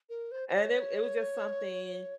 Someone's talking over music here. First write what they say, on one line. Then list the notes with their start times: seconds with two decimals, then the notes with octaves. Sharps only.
And it it was just something
0.09 A#4
0.31 C5
0.49 C5
0.54 C#5